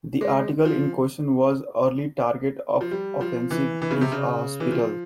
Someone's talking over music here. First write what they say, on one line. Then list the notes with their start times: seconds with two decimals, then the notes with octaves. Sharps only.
The article in question was "Early Target of Offensive Is a Hospital".
0.21 G#3
0.65 F3
2.81 F3
2.91 G3
3.21 F3
3.51 E3
3.82 E3
3.91 C#3
4.01 C3
4.12 C#3
4.60 E3
4.72 F3